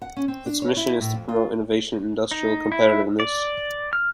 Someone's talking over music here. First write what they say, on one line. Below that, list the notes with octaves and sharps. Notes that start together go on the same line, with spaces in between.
Its mission is to promote innovation and industrial competitiveness.
F#5
C#4
C4
D4
C#5
E4
A2
F2
F4
D#4
E4
D5
F6